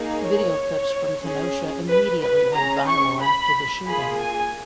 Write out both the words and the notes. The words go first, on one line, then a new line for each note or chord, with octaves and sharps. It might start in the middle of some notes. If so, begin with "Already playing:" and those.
Video clips from Kenosha immediately went viral after the shooting.
Already playing: A#3 D#4 G#4
C#5
C#4 G#4
B4
B4
C#4 G#4 A#5
C#6
B5
A#3 F4 G#4 B5
G#5